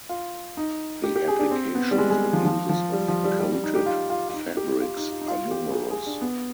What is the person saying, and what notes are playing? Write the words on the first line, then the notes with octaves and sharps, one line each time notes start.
The applications and uses of coated fabrics are numerous.
F4
D#4
G4
G4
G#4
D4
C4
B3
G3
G#3
G#3
F3
F3
F3
G3
F3
G3
G3
G3
D#4
G4
F4
F4
F4
D#4
G4
F4
D#4
F4
D#4
F4
G4
G#4
G4
G#4
D4
B3